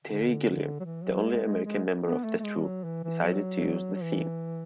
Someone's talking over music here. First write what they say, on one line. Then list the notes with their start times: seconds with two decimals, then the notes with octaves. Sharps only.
Terry Gilliam, the only American member of the troupe, decided to use the theme.
0.05 D3
0.80 F#3
0.84 E3
1.04 F#3
1.24 G#3
1.44 G#3
1.64 G#3
2.04 B3
2.24 A3
2.39 A3
2.44 G#3
2.64 F#3
2.84 E3
3.04 E3
3.24 F#3
3.95 F#3
4.03 E3